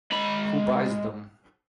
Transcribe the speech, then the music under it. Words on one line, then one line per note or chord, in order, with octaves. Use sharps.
Who buys them?
G#3 B5